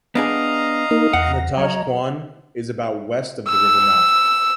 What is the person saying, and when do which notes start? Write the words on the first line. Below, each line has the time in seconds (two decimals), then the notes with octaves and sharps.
Natashquan is about west of the river mouth.
0.15 B3 D4 G#4 D#5 F5 A#5
0.91 A#3 D#4 A#4
1.13 E2 F#5 A#6
1.57 F#3 C#5 D#5 A#5
3.48 E6